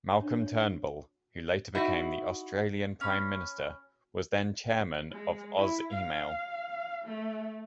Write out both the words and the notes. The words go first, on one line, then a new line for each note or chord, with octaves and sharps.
Malcolm Turnbull, who later became the Australian Prime Minister, was then chairman of OzEmail.
C#4 D4 C#5
C#5
D#4 E4 F#4
C#4 B5
G#3
E4
F5
A3